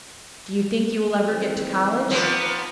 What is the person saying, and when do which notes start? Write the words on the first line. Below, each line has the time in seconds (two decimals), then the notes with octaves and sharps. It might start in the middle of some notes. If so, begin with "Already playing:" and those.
"Do you think you will ever get to college?"
1.29 D#3 E3 C4
2.11 F3 A#3 B3